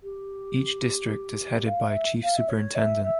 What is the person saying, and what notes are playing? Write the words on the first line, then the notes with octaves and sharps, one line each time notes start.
Each district is headed by a Chief Superintendent.
G4
F5
E5
F5
E5
C#5
E5
E5